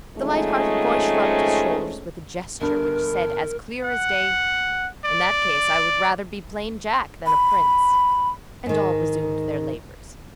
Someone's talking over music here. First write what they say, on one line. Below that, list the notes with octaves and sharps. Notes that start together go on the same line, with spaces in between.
The light-hearted boy shrugged his shoulders with a gesture which said as clear as day: "In that case I would rather be plain Jack than a prince." And all resumed their labors.
D#3 F3 G#3 A3 C4 C#4
G1 G2 A#4
F#5
D5
B5
G#2 D#3